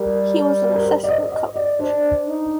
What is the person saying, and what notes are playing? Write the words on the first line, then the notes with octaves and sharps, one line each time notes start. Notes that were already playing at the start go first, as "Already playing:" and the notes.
He was an assistant coach.
Already playing: G3 A#4
A#4
C5
D5
D#5
D#5
D5
D4 C5
D#4